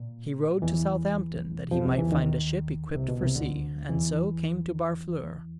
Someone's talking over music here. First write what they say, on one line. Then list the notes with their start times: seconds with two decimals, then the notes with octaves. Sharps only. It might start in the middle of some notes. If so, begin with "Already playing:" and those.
He rode to Southampton, that he might find a ship equipped for sea, and so came to Barfleur.
Already playing: A#2
0.62 E2 E3
1.71 F2 F3
1.85 C2 C3
1.98 E2 E3
2.12 D#2 D#3
2.95 C2 C3
3.08 B2
3.21 C2 C3
3.35 D2 D3
3.89 E2 E3